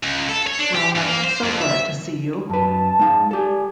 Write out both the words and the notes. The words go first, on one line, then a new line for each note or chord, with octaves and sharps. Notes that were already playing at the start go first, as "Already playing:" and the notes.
Well, I am so glad to see you.
C#2
A4
C#5
D4
G4
G2
A#3
C5
F2
E5
F#2 B4 A5
G#3 D#4 F5
G3 G4 A4 G#5